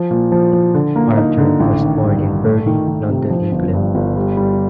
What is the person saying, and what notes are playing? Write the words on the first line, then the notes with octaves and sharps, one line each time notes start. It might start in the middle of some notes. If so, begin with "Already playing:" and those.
Arthur was born in Purley, London, England.
Already playing: F3
A#2
F3
F3
D3
A#3
D#4
D3
A1
D#3
G2
G2
A3
D#3
D#3
C3
F3
G1
G2
G1
G3
G3